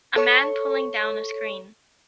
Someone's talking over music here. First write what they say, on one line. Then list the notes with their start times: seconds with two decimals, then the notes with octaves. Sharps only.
A man pulling down a screen.
0.16 A4 C#5 C#6